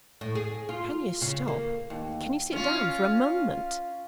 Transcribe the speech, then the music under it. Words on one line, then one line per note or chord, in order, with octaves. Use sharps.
'Can you stop--can you sit down for a moment?
A2
G#4
F4
C#3
A#3
D#2
C#4 F4